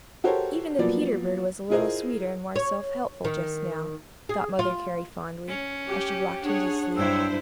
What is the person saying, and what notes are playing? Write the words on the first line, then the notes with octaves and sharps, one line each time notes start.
Even the Peter-bird was a little sweeter and more self-helpful just now, thought Mother Carey fondly, as she rocked him to sleep.
F#4 G4 A4 A#4 C5 C#5
F3 F#3 A#3 B3 F4 D5
E4 F4 G#4 A#4 C5 D#5
C#5
D#3
G#4
F4
C#4
G4 G5
D4 G#4 C#5 F#5
G2 F#3 E4 C5 C#5 G5 E6